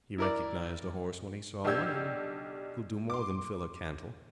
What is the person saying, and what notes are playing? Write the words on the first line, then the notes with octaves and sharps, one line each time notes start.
He recognized a horse when he saw one, and could do more than fill a cantle.
E4 A#4 D5
B1 D4 G4 E6 G6 G#6
C6 D6